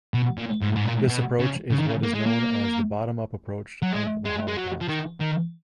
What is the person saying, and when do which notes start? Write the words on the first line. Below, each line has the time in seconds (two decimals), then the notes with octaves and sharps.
This approach is what is known as the bottom-up approach of the Holocaust.
0.14 B2
0.38 A#2
0.61 G#2
0.76 G#2
0.85 A#2
1.08 B2
1.40 C#3
1.71 C#3
1.78 D#3
1.87 C#3
2.03 A#3
2.14 G#3
2.26 A#3
3.82 F#3
3.93 G#3
4.25 G#3
4.48 G#3
4.57 F#3
4.81 F3
4.88 D#3
5.20 D#3